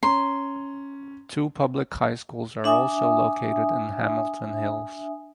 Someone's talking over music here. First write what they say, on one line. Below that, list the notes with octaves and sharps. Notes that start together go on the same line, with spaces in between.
Two public high schools are also located in Hamilton Hills.
C#4 A#5 C6
D4 E5 G#5 D#6